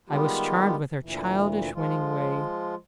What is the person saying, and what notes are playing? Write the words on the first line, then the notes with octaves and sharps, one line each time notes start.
I was charmed with her childish, winning way.
D#3 G3 G#3 B3 F4 G4
D2 A#2 E3
F3 G#3 F4